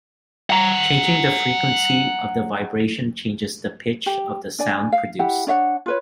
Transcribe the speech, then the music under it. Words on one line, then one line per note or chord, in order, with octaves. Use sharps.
Changing the frequency of the vibration changes the pitch of the sound produced.
F#5 A#5
G4
D4 D5 G#5
F5
E4 G4 F#5
D4 C#5 E5 F#5
F4 B4 C#5